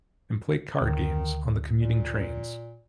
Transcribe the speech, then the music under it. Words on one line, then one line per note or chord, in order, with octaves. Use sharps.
And play card games on the commuting trains.
D2 D#3
A#2